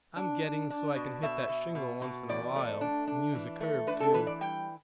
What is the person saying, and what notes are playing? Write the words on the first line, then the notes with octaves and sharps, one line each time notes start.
I'm getting so I can hit that shingle once in a while, and use a curve, too.
D4
D4
D4
B2
B2 E5
B2
B2
B2
E2 D5
A3
D4
D4
E3
A3
D4 B4
A4
E3 B4
D5
G3 G5